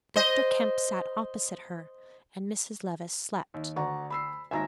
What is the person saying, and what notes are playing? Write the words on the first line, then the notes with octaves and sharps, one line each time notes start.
Dr. Kemp sat opposite her--and Mrs. Levice slept.
C5 D#5
D#2
D2 D5 F#5 A#5 C#6
B5 E6 C7
G#1 D#2 E5 G#5 A#5 A#6